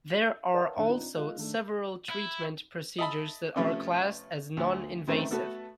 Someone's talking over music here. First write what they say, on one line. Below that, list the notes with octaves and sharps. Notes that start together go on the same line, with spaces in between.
There are also several treatment procedures that are classed as non-invasive.
A#4 B4 C#5 F5 F#5 A5
A#1 D#3 F#6
C4 D4 D#4 F4
G#3 F4 D#5 F5 F#6
D#3 A3 D4
E4
D#5 E5 A5 B5
C3 F3 A3 B3 C#4
D2
F#2 D#3 E3 A3 C4
A3 B3 F#4 A4 B4